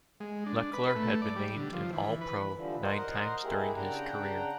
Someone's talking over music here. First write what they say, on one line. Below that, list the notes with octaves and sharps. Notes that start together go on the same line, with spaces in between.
Lechler has been named an All-Pro nine times during his career.
G#3
D4
B4
A3
D5
G3
D3
F3
E3
B4
G2 D3 E3 F3
A#4 C5 D#5 F#5
G#3 A#3 E4 G4 G#4
C#3 D4 F#5 G5 A#5